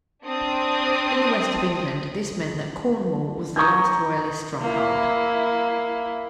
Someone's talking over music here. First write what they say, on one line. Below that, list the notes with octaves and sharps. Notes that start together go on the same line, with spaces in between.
In the West of England this meant that Cornwall was the last Royalist stronghold.
C4 D4 D#6
A#5 C#6 D#6 G6 G#6
A#3 E4